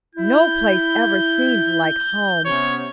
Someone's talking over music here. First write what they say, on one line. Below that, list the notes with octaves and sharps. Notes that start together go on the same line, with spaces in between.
No place ever seemed like home.
E4 G6
C3 B3 C#4 C#5